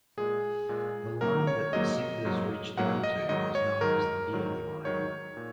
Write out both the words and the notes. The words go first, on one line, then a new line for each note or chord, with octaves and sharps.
The line that descenders reach down to is known as the beard line.
A#2 G#3 G#4
A#2 G#3
G#2 F#3 A#3 A#4
C#5
G#2 F#3 A#3 D#5
G#2 F#3 A#3
G#2 F#3 A#3 F#5
D#5
G#2 D#3 F#3 D#5
C#5
G#2 D#3 F#3 A#4
G#2 D#3 F#3
G#2 D#3 F#3 C#5
A#2